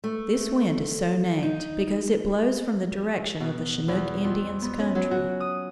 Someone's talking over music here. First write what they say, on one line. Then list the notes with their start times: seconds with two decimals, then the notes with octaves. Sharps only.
This wind is so named because it blows from the direction of the Chinook Indians' country.
0.04 A3
1.43 D#4
3.40 B2
3.88 E2
4.24 F2
4.62 B3
4.79 C#4
4.95 F#3
5.11 F#4
5.40 D#6